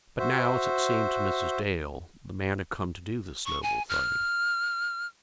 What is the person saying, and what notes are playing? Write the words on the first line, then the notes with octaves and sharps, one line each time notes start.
But now, as it seemed to Mrs. Dale, the man had come to do this noble thing.
F#4 C5 E5
C#6
G#5
F6